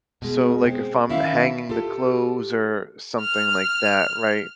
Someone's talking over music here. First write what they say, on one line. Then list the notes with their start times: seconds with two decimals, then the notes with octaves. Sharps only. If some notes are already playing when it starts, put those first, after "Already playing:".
so, like, if I'm hanging the clothes or something like that, right,
0.22 B2 G#3
0.64 G#3 C4
1.09 D#3 C#4 E4 E5 F5
1.69 F4 G4 A4
3.21 F6